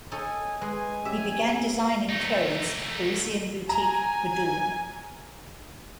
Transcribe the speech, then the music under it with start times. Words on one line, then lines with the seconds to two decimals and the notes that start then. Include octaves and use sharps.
He began designing clothes for Parisian boutique, Gudule.
0.12 D#4 A4 C#5 G#5
0.61 G#3 B4 G#5 C6 D#6
1.05 C#4 G4 E5
2.09 A3 D#4
3.69 G#5 A#5